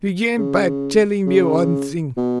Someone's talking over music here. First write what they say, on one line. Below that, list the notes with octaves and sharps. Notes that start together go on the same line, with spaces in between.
Begin by telling me one thing.
C#3
C#3
B2